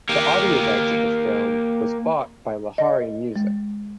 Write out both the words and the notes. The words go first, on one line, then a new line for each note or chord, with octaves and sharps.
The audio rights of the film was bought by Lahari Music.
A#3 G4
D#5
G#3